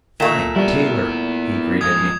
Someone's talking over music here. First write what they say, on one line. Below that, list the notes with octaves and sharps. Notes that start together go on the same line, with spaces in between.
"Fine, Taylor!" he greeted me.
A#2 A3 E7
G3 B3 E4
G#2 F3 D#6 G#6